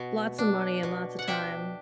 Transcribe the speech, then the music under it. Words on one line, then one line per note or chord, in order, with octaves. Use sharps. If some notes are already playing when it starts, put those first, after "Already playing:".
lots of money and lots of time.
Already playing: B2 B3
D4
B2
F#5
D4 E5 G5